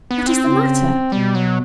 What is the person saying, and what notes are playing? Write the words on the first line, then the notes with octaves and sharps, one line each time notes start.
'What is the matter?
B3
C4
C#3
B2 G3
F#3